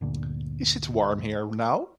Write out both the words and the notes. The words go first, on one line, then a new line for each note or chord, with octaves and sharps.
Is it warm here now?
G1 D2 A#2